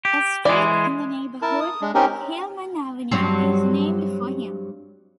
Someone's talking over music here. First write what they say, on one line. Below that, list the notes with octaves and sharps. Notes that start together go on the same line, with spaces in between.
A street in the neighborhood, Hillman Avenue, is named for him.
G4
E3 G#3 D5
E4 A#4 A5
D#6
G#3 D4
C4 C#4 D#4 G4 A#4
G2 F#3 C4